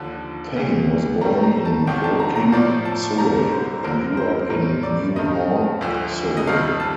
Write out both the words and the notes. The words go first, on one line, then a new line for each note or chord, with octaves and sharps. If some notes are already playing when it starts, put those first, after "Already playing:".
Payne was born in Woking, Surrey, and grew up in New Haw, Surrey.
Already playing: D#2 D3 F3 A5
D2 C3 G3
A2 G3 A#5
A#5
A5
C2 C3 D#3 G5
A5
A#5
A#5
A2 F3 D5
A5
C2 C3 G3 A#5
C5
D#2 D3 F3 A#4
C5
A2 G3 A#4
D5
G2 D#3 G3 D#5
D2 D3 F3
D#5
F2 D#3 G3 F5
A5